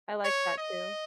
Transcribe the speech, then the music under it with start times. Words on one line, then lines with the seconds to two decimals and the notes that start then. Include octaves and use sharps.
I like that, too.
0.24 C#5
0.58 D#5